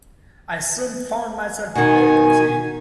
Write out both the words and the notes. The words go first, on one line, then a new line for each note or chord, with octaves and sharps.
I soon found myself very busy.
B2 D#3 G#5